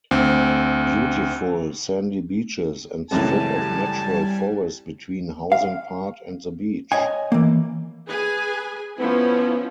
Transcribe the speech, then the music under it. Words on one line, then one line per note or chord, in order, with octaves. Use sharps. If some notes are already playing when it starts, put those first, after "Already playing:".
Beautiful sandy beaches and strip of natural forest between housing part and the beach.
D2 C4
C#2 F#2 E3 G3 A3 C4 G#5 A5
F5
C#5 D#5 G#5
E3 A#3
G#4 B4 G#5
F3 B3 C#4 E4